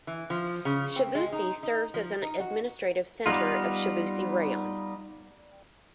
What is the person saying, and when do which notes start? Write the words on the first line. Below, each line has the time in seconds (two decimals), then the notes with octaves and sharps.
Chavusy serves as an administrative center of Chavusy Raion.
0.07 E3
0.30 F3
0.65 C#3
0.96 C4
1.15 G#3
1.32 D#4
1.63 D#4
1.94 F3
2.22 D#4
2.40 F#4
3.26 G3 B3 D#4 F4